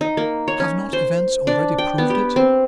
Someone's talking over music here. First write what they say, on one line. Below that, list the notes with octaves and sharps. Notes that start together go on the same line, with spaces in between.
Have not events already proved it?
D#4
A#3
C#5
C#4
C5
D4
G5
B3
G4
C4